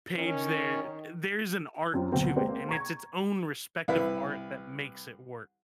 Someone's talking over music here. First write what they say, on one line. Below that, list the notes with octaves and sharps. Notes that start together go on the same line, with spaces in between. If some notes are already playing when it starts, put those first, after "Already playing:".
page there. There's an art to it, and it's its own respective art that makes it work.
D#3 C#4
D#3
F#2 C4 F4
D2 B2 F#3 A#3 C4
G#3 A#3 C4 D5
A#5 C#6 G#6
C2 E4 B4